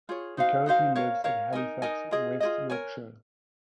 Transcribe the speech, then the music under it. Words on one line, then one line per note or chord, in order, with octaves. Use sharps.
He currently lives in Halifax, West Yorkshire.
F4 G#4 C#5
D#4 F#4 C5 F5
D#4 F#4 C5 F5
A#4 C#5 F5
A#4 C#5 F5
D#4 A#4 D#5 G#5
D#4 A#4 D#5 G#5
F4 G#4 D#5
F4 G#4 D#5
A#4 C#5 G#5